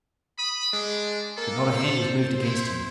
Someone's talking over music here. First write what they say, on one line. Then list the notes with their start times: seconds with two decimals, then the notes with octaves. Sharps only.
But not a hand was moved against him.
0.38 B5 D#6
0.73 G#3 D4
1.38 A#3 A4
1.76 C5
2.42 E4